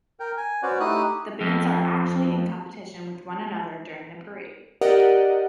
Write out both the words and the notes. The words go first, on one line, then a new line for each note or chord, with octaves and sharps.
The bands are actually in competition with one another during the parade.
A#4 G5
G#5
C#4 F#4 B4 C5 D5 F#5
A3 D#4 E4 G4 D#6 F#6
F2
G4 A#4 D5 D#5 F#5